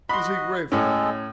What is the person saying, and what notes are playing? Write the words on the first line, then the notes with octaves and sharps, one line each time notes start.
Is he grateful?
F#4 D#5 B5 C6
A2 G#3 C#4 A4